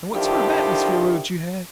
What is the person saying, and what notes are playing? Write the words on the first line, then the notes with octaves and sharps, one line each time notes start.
And what sort of atmosphere would you have?
D3 D#3 F3 D4 E4 G4